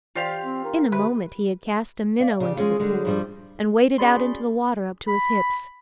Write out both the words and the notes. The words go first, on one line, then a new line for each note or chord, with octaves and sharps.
In a moment he had cast a minnow into the pool and waded out into the water up to his hips.
E3 F4 G4 C5 D5 F5
C4
D#4 A#4
D3 G4 B4 E5
D5 F5
C#3 G4 D5
G#3 C#4 F4 G#4
D3 G3 G#3
G2 F3 G3
C#4 F#4 G#4 D5 B5 C6
B5